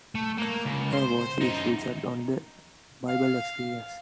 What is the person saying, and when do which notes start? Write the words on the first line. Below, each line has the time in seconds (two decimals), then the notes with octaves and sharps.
Her voice is featured on "The Bible Experience".
0.15 A3
0.37 A#3
0.65 C#2
0.93 C5 C6
1.41 F#2 D#4
3.09 F5